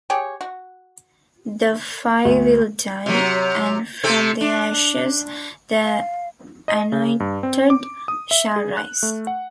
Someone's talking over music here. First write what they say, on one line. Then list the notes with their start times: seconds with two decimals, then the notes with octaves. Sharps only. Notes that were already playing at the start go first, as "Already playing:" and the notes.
The Five will die, and from their ashes the Anointed shall rise.
0.10 G4 G#4 C#5
0.41 F#4
2.25 D2
3.06 C3 F#3
4.04 C3 C4 A4
4.41 D4
5.85 F5
6.68 D#5
6.92 C#3
7.20 G2
7.43 C4
7.70 D6
8.08 D#6
8.31 E5
8.56 G#4
8.77 F#6
9.03 A3
9.27 F#5